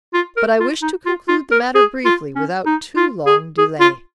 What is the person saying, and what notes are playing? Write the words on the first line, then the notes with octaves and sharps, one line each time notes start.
But I wish to conclude the matter briefly without too long delay.
F4
A#4
F4
D#4
F4
F4
A#4
G#4
F4
C#4
D#4
F4
G#4
G#4
F4